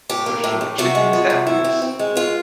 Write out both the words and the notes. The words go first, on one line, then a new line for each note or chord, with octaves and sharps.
for sure, chicken is happiness.
A2 G4
A#3
A2
A2
C3 F#4
G#3
F3
C3
E4
C4
C4
G#3
B3 F4